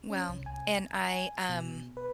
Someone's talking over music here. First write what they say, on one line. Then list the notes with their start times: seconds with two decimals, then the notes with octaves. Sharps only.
Well and I, um
0.10 C#4
0.29 C2
0.46 G#5
1.04 G#5
1.49 B2
1.97 B4